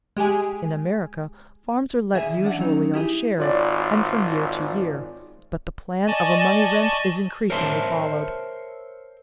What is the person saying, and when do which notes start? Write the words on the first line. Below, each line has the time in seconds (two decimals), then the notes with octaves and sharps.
In America farms are let usually on shares, and from year to year, but the plan of a money rent is increasingly followed.
0.16 G#3 G4 G#4 G#5
2.14 E2 B2 G#4 E5 G#5
2.42 E3 D4 D5 F#5
2.58 F#3 C#4 D#4
2.94 E4 G4 G#4
3.38 G#1 F4 C#5 D5
6.07 D5 D#5 G#5 A5 C#6
7.50 A#4 C5 C#5 E5 A5 C6